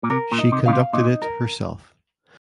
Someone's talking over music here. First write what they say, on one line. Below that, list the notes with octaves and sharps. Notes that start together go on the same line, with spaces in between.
She conducted it herself.
A#2
C3 A#4
A#2
D#4
C3
C#3 F5
C3
A#2 D#4
A#4